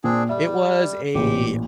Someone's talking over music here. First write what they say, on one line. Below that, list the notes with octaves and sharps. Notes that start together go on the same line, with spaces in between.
it was a
A#2 C4 D4 G#4
G3 E5
A1 A#2 G4